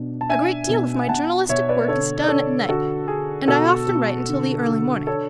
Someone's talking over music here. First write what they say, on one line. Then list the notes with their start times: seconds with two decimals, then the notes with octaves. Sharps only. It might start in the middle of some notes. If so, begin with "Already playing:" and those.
A great deal of my journalistic work is done at night, and I often write until the early morning.
Already playing: B2 D4
0.21 A5
0.29 D4 E5 G#5
0.69 B2
1.08 B2 F#5 A5
1.49 B2 C#5 E5
1.69 B4 D5
1.88 D3 A4 C#5
2.24 D5
2.28 D3 A4 C#5
2.68 D3 F#4 A4
3.08 D3 G#4
3.48 B2 F#4 A4
3.87 B2
4.28 D3
4.68 D3
5.07 D4 A4 C#5